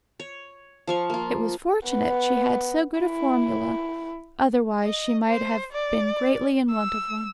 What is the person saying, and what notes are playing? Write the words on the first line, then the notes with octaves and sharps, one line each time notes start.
It was fortunate she had so good a formula; otherwise she might have been greatly in want of one.
C#5
F3 F5 C#6
A#3 F4
B3
E4
D#5
C5
D5
E6